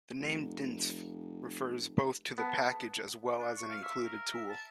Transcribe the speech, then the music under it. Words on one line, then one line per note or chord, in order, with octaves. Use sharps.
The name "dsniff" refers both to the package as well as an included tool.
F1
B3 A5
D4
C#6
F5
E5
A#4
E5
A5